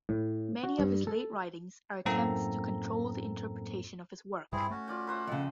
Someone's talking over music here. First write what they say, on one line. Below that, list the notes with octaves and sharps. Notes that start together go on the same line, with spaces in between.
Many of his late writings are attempts to control the interpretation of his work.
A2
F#4
G2
A4
F#2 A2 A#3 C4 A4 A#5
G2 C4 E4 G#4
A3 C#4 F#4
F4 D5 G5
B4 C5 E5
F2 C#3 A4 F#5